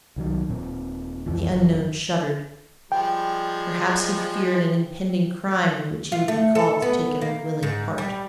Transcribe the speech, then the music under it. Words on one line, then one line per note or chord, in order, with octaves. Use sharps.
The unknown shuddered; perhaps he feared an impending crime in which he would be called to take an unwilling part.
C2 D#3 F#3
D#1 A#2 C4
C2 F2 E3 F3
G1 F2 F3 F#3
F3 G3 G#3 G5
F4
A3
A4
B3
A#3
G#2
G3